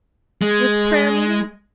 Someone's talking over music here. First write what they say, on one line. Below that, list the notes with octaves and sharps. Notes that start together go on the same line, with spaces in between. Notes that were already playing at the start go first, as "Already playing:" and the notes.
"Was prayer-meeting?"
G#3